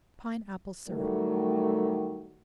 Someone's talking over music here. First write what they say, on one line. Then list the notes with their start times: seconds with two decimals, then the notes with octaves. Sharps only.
Pine Apple Syrup.
0.88 A2 D#3 F#3 G3 A3